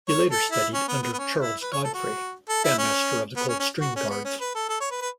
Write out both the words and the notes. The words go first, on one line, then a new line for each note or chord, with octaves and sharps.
He later studied under Charles Godfrey, bandmaster of the Coldstream Guards.
C#5
A4
E4
C#4
B3
B3
B3
C#4
E4
B4
C#5
A4
F#4
A4
E4
C#4
B3
C#4
C#4
F#4
C#4
B3
C#4
B4
A4
A4
C#5
B4
B4